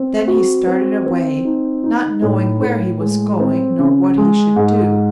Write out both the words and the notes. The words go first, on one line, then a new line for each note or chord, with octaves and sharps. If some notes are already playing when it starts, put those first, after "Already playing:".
Then he started away, not knowing where he was going nor what he should do.
Already playing: C4
F#4
C4
C4
D#4
D#4
A2
A2
G#3
C4
C#3
G#3
G#2